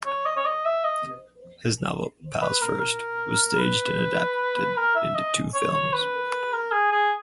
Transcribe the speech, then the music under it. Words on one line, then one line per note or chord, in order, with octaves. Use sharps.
His novel "Pals First" was staged and adapted into two films.
C#5
D#5
C#5
D#5
E5
D#5
B4
A#4
A#4
B4
A#4
E5
D#5
C#5
C#5
B4
A#4
G#4
G#4